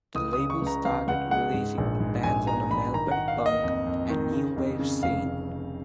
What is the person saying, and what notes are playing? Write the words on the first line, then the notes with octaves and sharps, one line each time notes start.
The label started releasing bands on the Melbourne punk and new wave scene.
C#2 D#6
D#6
C#3
C#6
C#2
A#5
C#2 F5
C#2 F#5
G#3 F#5
G#2
A#1
G#2
A#1 G#5
B3 A#5
A#1 B5
D#3 A#5
D#3 F#5
F5
A#3
D#5
F2
F2
D#3
C#3
F2
C#3
F1 F5
C#3
C#3